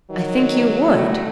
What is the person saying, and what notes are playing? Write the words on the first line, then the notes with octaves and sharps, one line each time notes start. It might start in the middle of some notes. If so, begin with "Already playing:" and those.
"I think you would."
D#3 F#3
G3 A3 F#4